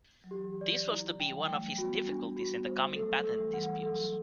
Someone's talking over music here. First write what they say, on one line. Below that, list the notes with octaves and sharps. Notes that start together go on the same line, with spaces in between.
This was to be one of his difficulties in the coming patent disputes.
F#3
E3 G4
D5
F#3
E4
E3 G3 G5
F#3 A3 G5
G3 B3 F#4
G3 B3 D4
F#4
G3 B3
C5
F#3 A3 A4
A3 A4
E3 G3
F#5
F#3 A4